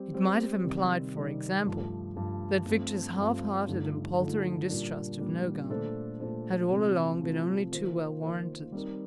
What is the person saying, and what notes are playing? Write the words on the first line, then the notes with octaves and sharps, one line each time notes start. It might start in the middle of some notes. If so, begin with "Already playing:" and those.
It might have implied, for example, that Victor's half-hearted and paltering distrust of Nogam had all along been only too well warranted.
Already playing: G3 C4 G4 C5
G3 C4 G4 C5
C3 D#3 G3 C4 D#4
C3 D#3 G3 C4 D#4
G2 F3 A3
G2 F3 A3
G2 F3 A3 C4 F4
G2 F3 A3 C4 F4
G2 D3 F3 A3 D#4
G2 D3 F3 A3 D#4
A#2 G3 A#3 D4
A#2 G3 A#3 D4
A#2 A3 D4 A4 C5
A#2 A3 D4 A4 C5
C3 F3 A3 C4
C3 F3 A3 C4
D#3 A#3 F4 C5
D#3 A#3 F4 C5
G3 C4 D#4 A#4